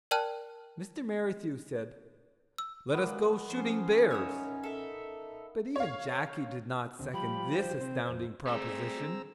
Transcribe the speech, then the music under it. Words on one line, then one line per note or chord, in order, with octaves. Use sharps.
Mr. Merrithew said "Let us go shooting bears," but even Jackie did not second this astounding proposition.
A#4 D5 G5 A5 F6 F#6
E6
G#3 A#3 B3
F3 C#4 C5
D#4 C#5 E5 D#6
A4 E5
C#5 F5
D2 C3
F3 G3 G4 B5
C5
C3 C4
F2
G3 A3 C4 G#4 A#5 E6